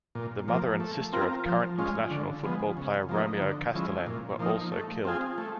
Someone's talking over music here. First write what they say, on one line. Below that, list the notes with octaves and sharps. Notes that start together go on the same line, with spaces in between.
The mother and sister of current international football player Romeo Castelen were also killed.
A#2
F3 A#3
A3
C4 F4 A#4
F3
G#3 C#4 F4
D3
F3 G#3 B3
C#3
F3 A#3 D#4
D3
F3 G#3 C#4 E4
A#2
F3 A#3 D#4
A3
C4 F4 G#4
A3